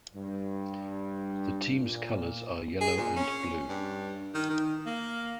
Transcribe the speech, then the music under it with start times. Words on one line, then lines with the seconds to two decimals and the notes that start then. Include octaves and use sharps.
The team's colours are yellow and blue.
0.14 G2
1.74 A#2
2.81 G#4
2.97 A#2
3.16 C#4
3.69 G2
4.35 D#3
4.50 D#3
4.86 A#3